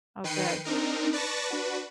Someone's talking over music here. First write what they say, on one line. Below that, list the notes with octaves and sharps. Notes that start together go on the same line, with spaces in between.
Oh, good.
D#3 B4 G5 C7 C#7 D#7
C4 D4 D#4 A#4
B4 D5 A5 C#6 A#6
D4 F#4 B4